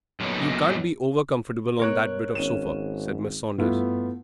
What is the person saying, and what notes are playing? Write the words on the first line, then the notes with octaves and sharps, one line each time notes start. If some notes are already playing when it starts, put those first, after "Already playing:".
"You can't be over-comfortable on that bit of sofa," said Mrs. Saunders.
F#2 A#2 D3 F#3 B3 D#4
B2 A#4 C#5 F#6 D7
G#1 C#4 D#7 E7
G2 A3 B3 E4 F4